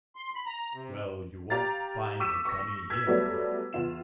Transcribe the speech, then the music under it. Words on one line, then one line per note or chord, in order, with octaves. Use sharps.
"Well, you won't find a dummy here."
C6
B5
A#5
C3
G4 F5 A#5 A6
C#6 D6 E6 B6 D#7 E7
C#6 A#6
E6 G#6 B6
F#3 G3 A3 B3
E2 F4 F5 E7